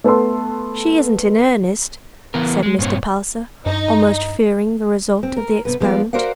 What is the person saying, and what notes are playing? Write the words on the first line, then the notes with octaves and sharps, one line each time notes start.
"She isn't in earnest," said Mr. Palliser, almost fearing the result of the experiment.
A3 B3 A4 C6
E3 B3 A#4
G#3
G2 A#2 C4 C#5
G2 D#4
C4
A#4
C3 B3 B4
F3 G#3 B3 C4 F4 D5
F#4 A#4 C5 D5 F5 F#5